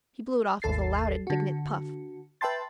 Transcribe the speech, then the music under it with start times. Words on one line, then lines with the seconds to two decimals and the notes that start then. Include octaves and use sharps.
He blew it off with a loud, indignant puff.
0.62 G#1 D#2 A4 A6 C7
1.27 D3 F#4
2.41 B4 E5 G5 A5 C6 A6